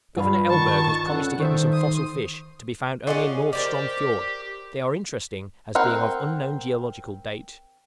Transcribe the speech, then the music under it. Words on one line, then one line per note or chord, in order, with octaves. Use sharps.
Governor Elberg has promised to get me some fossil fish, to be found only in North Strom Fiord: they are interesting, as being of unknown geological date.
G2 F4 B4
D#3 A5 C#6
C#4 A4 F#5
D#3 A4 C5 E5
C6 D#6
C#4 F4 F#4 G#4 D5 D#5
G4 A#4 C5 D5
C4 A#4 F#5